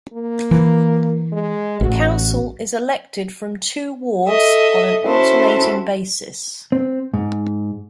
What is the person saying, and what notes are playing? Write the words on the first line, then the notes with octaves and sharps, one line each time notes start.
The Council is elected from two wards on an alternating basis.
A#3
E3
G#3
A1 F#4
A4 D#5 E5
C#4 E4 F#4 A4 C5
C4
G#2